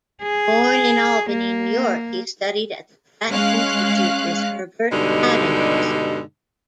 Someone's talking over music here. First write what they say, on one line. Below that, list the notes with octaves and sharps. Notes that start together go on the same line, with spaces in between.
Born in Albany, New York, he studied at the Pratt Institute, with Herbert Adams.
G#4
A#3
G#3 C#4 F5 F#6
G2 B2 D3 G3 G#3 D#4